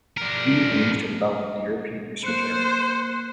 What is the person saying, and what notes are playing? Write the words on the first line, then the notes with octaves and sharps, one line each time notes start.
He aims to develop the European Research Area.
D4 A#4
A#3 C5 F#6 C#7